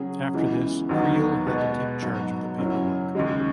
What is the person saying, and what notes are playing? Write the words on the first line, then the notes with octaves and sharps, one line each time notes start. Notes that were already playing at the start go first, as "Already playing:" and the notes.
After this, Creel had to take charge of the paperwork.
Already playing: C#3 F#3 C#4 G#4
C#2 C#3 E3 G#3 B3
D#2 D#3 F#3 B3 D#4
B2 G#3 B3 F#4 B4
G#2 F#3 B3 F#4
F#2 C#3 F#3 C#4 E4
D#2 C#3 G#3